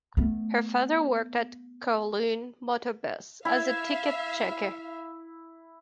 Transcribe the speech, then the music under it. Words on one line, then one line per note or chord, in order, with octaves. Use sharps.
Her father worked at Kowloon Motor Bus as a ticket checker.
A3 B3
E4 E5 F5